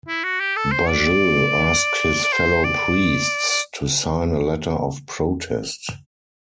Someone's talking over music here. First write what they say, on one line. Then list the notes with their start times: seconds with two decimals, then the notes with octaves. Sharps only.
Bajeux asked his fellow priests to sign a letter of protest.
0.08 E4
0.24 F#4
0.40 G4
0.56 A4
0.72 C5
0.88 D5
2.24 D5
2.33 C5
2.64 D5
3.49 D5